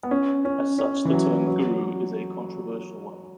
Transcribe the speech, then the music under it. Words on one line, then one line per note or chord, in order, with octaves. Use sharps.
As such, the term "guru" is a controversial one.
B3
C#4
C#4
C#4
E3
F#3
F#3